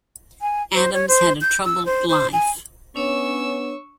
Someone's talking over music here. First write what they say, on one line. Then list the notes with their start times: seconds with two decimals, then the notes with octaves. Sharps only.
Adams had a troubled life.
0.41 G#5
0.75 C5
0.94 C#5
1.08 C5
1.41 G6
1.65 E6
1.86 C5
2.09 C5
2.33 G#5
2.96 B3 C#4 D4 C#5 C#6 E6